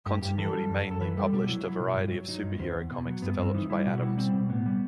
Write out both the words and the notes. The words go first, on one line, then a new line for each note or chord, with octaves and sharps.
Continuity mainly published a variety of superhero comics developed by Adams.
G2 G4
G2 G4
E3 A4
G3
F#2
F#2
A4
E3 B4
G3 A4
B2 G4
F#3 E4
F#3 E4
B2
G2
F#3
F#3 D#4
G2
E2 C4
E2
B2
F#3
G2 B3
G2 C4
E3 D#4
G3 E4
B2 F#4
G3 E4
G3 C4
B2
A2 B3
G3